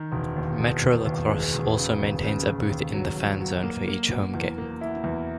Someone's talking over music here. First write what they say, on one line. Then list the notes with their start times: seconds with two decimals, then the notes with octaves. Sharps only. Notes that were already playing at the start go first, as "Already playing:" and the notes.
MetroLacrosse also maintains a booth in the Fan Zone for each home game.
Already playing: D#3
0.12 E1
0.36 D#2
0.60 E1
0.83 E1
1.06 D#2
1.29 G#3
1.53 E1
1.76 C#3
1.99 D#2
2.23 C#3
2.46 E1
2.70 D#2
2.94 F#3
3.17 F#3
3.40 F#3
3.63 A#3
3.88 A#3
4.10 B2
4.34 E2
4.58 A#3
4.81 E4
5.04 E2